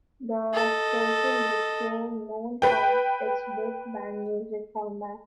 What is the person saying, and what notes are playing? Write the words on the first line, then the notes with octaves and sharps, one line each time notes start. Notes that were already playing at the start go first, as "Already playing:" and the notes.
The station became known for its Big Band music format.
A4 D#5
B4 G5